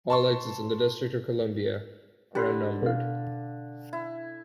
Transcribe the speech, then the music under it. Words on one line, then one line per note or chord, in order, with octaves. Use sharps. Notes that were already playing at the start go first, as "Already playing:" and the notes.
All exits in the District of Columbia are unnumbered.
A5 C6 C#6
D3 G4 B5 C6
B2 F5
E4